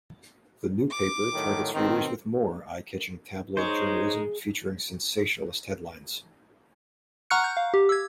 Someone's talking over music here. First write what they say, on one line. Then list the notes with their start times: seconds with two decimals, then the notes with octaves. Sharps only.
"The New Paper" targets readers with more eye-catching tabloid journalism featuring sensationalist headlines.
0.90 D6
1.34 A2 D#3 F#3
1.74 B2 D#3 C4
3.57 G#3 D#4 C5 C#5
7.30 F#5 A#5 C#6 F6 F#6 C#7
7.44 G6
7.57 F5
7.74 G4
7.89 E6 G#6